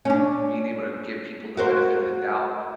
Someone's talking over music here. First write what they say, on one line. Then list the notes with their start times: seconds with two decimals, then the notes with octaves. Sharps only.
being able to give people the benefit of the doubt,
0.05 C#4 D4
1.57 F#4 A#4 C5